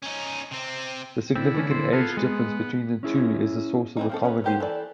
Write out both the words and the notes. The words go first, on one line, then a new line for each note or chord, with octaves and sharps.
The significant age difference between the two is the source of the comedy.
C#4 D#4
C3 C4
D3 C4 E4
E3 A3 C#4
C5
B3 F4 G#4 A4
G#3 B3
C#4 E4 G#4
E3 C4 D#4
A#3 C4 A4
C#4 G#4 A#4 B4
A#3 B3 G4 A4 C5
E3 A4 D5